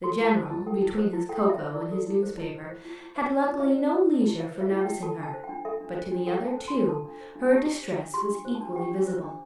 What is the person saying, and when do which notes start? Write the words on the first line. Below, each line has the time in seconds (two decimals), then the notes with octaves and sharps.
The general, between his cocoa and his newspaper, had luckily no leisure for noticing her; but to the other two her distress was equally visible.
0.04 A4 C6
0.20 E4 A5
0.36 C5
0.45 A5
0.51 E4
0.67 A4 G5
0.82 E4
0.97 C5
1.13 E4
1.29 A4 G5
1.44 E4
1.50 E5
1.59 C5
1.70 D5
1.75 E4
1.91 A4
2.07 E4
2.23 C5
2.38 E4
2.54 C5
2.69 C5
2.85 E4
3.01 E4
3.16 C5 E5
3.31 C5
3.46 E4 D5
3.60 E4 E5
3.72 D5
3.78 C5
3.93 C5
4.09 E4
4.25 E4
4.40 C5 E5
4.55 C5
4.61 E5
4.71 E4
4.81 G5
4.87 E4
5.03 A4 A5
5.18 D4 A5
5.34 C5
5.44 G5
5.49 D4
5.65 A4 E5
5.81 D4
5.95 C5
6.12 D4
6.26 A4 G5
6.43 D4
6.48 A5
6.58 C5
6.68 C6
6.73 D4
6.89 A4 A5
7.05 D4
7.21 C5
7.35 D4
7.51 G4 A5
7.66 D4
7.83 C5
7.98 D4
8.14 G4 C6
8.29 D4
8.45 C5
8.55 A5
8.60 D4
8.75 G4 G5
8.91 D4
9.07 C5
9.23 D4